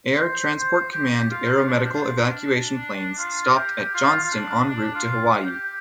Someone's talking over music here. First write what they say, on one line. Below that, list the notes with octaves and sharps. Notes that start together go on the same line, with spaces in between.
Air Transport Command aeromedical evacuation planes stopped at Johnston en route to Hawaii.
C5
C5
G4
F4
D4
G4
F4
D4
F4
A#4
G4
F4
F4
D4
D4
F4
G4